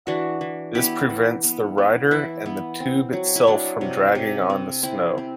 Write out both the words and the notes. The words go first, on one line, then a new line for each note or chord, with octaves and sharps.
This prevents the rider and the tube itself from dragging on the snow.
E3 D4 F#4
E3
B3 E4 G4
E3
B3
B3
E3 E4
B3
C4
F#3
E4
F#3 D4
C3
C3
C4
C4 E4
C4